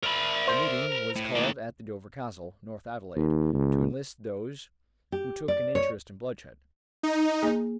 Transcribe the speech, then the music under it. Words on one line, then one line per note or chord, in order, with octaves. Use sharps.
A meeting was called at the Dover Castle, North Adelaide, to enlist those who took an interest in bloodshed.
A#4 D5 E5 B5
C5
A2
D#3 A#3
D#2
C#2
G4
D5
C#5
D#4
A#3 G#4